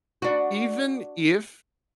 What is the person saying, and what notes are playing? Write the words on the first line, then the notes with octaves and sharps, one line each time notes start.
even if
D4 F#4